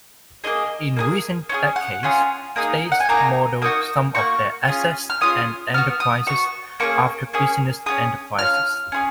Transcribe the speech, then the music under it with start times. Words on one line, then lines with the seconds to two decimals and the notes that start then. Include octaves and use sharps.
In recent decades, states modeled some of their assets and enterprises after business enterprises.
0.44 A#3 D#4 G#4 D#5
0.97 A#3 D#4 G#4
1.49 C#4 F4 G#4
1.76 F#5
2.03 C#4 F4 G#4
2.56 A#3 D#4 G#4
2.92 F#5
3.00 G#5
3.09 A#3 D#4 G#4 A#5
3.62 A#3 D#4 F#4 D#6
4.15 A#3 D#4 F#4 C#6
4.67 C#4 F4 G#4
5.10 F6
5.21 C#4 F4 G#4 D#6
5.74 B3 F6
5.78 F#4
6.00 D#6
6.27 B3 F#4 C#6
6.80 A#3 C#4 G#4 C#6
7.33 A#3 C#4 G#4
7.86 C#4 F4 G#4 D#6
8.39 C#4 F4 F6
8.92 C#4 F4 G#4